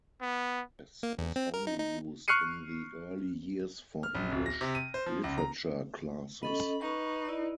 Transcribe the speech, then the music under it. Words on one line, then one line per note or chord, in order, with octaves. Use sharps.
This was only used in the early years for English Literature classes.
B3
A#3
E2
C4
A#4
D#4
D#4
C#6 F6 F#6 C7 C#7 D#7
F6
A#1
D1
A#6
C3
D#7
C5
F3
C#2
A#5
C#4 A4 D#5 B5
D#4 B4 C#6
E4 D5 D#5